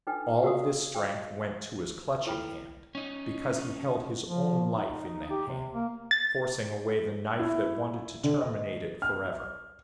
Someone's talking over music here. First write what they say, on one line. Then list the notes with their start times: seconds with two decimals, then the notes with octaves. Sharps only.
All of this strength went to his clutching hand, because he held his own life in that hand, forcing away the knife that wanted to terminate it forever.
0.07 D4 D#4 A4 B4 G5
0.42 F#4 G4 A#4 F5 F#5 D#6
0.95 D#5 F5 G5
2.27 E4 A4 B4 G5 A#5 B5
2.95 C#4 D#4
4.28 F3
4.75 D#4
5.30 G4
5.48 C3
5.73 A#3
6.11 A6
7.39 E4
8.24 D3
8.41 D#5
9.02 F6